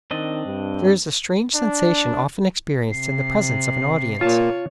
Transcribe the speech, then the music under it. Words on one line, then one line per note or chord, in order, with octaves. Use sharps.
There is a strange sensation often experienced in the presence of an audience.
D#3 C4 D4 D#5
G2
D4
C3 C7
A#2 F4 C#5 A5